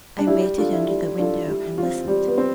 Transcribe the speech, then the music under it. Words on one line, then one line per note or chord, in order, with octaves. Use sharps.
I waited under the window and listened.
D4
G3 E4
D4 F4 A4
E4
G3
D4 F4 A4
G3
C4 F4
G3
B3
C4